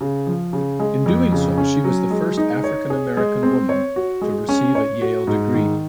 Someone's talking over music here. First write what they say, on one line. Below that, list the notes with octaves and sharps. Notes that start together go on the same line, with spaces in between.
In doing so, she was the first African-American woman to receive a Yale degree.
C#3
F3
C#3
G#3
F2
C#3
C#4
F#3
G#3
D#4
C#5
G#4
G#3
C4
C#5
F#4
G#3
C#4
C#5
F#4
G#2
D#3